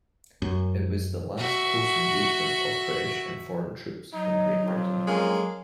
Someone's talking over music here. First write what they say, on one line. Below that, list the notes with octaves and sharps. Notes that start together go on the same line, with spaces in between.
It was the last close engagement of British and foreign troops in Great Britain.
F#2
F#4 E5
F#3 D#4
F2
G#3 A#3 C#4